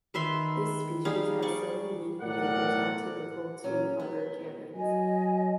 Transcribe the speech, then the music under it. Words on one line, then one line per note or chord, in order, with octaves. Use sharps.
This species has some unique behaviors not typical to other canids.
D#3 B4 E5 C6
G3 D#4 G#4 F5
D5 C#6
B1 A2 A#4 D5 F#5
A#2 F#3 C#4
B3
F#3 D#5 G#5